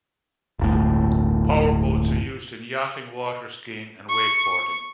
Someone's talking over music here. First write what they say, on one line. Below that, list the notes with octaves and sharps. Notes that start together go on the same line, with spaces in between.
Power boats are used in yachting, waterskiing and wakeboarding.
D1 G1 A2
C#6